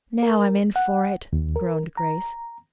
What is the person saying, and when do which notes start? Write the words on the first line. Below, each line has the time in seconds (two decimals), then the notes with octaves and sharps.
"Now I'm in for it," groaned Grace.
0.23 A#4
0.76 F#5
1.33 D#2
1.56 A#4
1.97 A#5